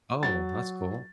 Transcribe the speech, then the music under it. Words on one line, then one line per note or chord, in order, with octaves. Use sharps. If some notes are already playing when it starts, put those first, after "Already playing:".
Oh, that's cool.
F#3 A6